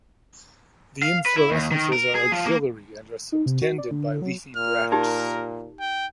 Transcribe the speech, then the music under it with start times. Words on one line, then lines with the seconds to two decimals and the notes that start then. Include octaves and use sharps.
The inflorescences are axillary and are subtended by leafy bracts.
1.02 F5
1.26 B4
1.37 E4
1.51 D#2
1.71 D#3
1.93 A#4
2.15 G#4
2.32 F3
2.46 A#3
3.32 D#4
3.46 C3
3.62 F#4
3.78 D5
3.91 D3
4.06 D3
4.22 F#3
4.56 A#2 F6
4.92 D#4 G4 A#4
5.80 G5